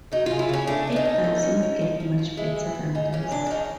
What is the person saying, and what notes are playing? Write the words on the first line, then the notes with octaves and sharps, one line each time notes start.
It doesn't get much better than this.
F#3 D#4
C#3 F4
E4
C#3 C#4
A3 D4
A3
D4
D#4
C#4
A3
C#4
F3
F3
F3
F3
G#3 E4
E3
B3
C#3 D#4
E3 C#4
C#3 D4
D4
C#4 D#4